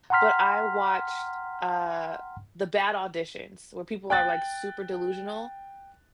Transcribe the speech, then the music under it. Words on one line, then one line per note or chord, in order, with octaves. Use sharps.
but I watched, uh, the bad auditions where people are like super delusional
F#5 G5 A#5 C6 F6 B6
G5 F#6 A6